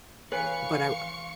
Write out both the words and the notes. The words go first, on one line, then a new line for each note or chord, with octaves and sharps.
but, I
E3 D#4 B4 C#5 F5 G#5 C#6 C#7